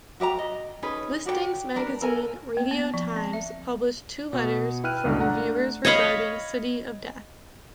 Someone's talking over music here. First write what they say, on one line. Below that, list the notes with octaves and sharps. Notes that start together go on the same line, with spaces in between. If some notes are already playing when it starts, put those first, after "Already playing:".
Listings magazine "Radio Times" published two letters from viewers regarding "City of Death".
F#4 G4 E5 A#5
D#5
C#4 D#4 G#4 B4
F#4 G4 A4 G5
D4 A#4 B4
A4 A#4 G#5
A#3
B3
F3
C4
E5
B2
E4 B4 G5 F6 F#6 D#7
C#2 G2 B2 D3
A3 D4 F#5 A#5
C#5 D#5 F5 B5